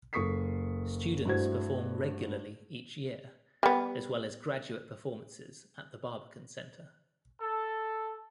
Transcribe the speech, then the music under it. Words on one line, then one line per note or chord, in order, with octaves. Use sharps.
Students perform regularly each year, as well as graduate performances at The Barbican Centre.
F#1 A4 C#6 D#6 B6 C7
G2 A3 E4 F#4 C5 G#6
G3 B3
A4